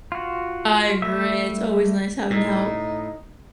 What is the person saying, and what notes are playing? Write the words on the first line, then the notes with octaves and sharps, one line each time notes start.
I agree, it's always nice having help.
F4 F#4
G3 A3 E5
A2 D#4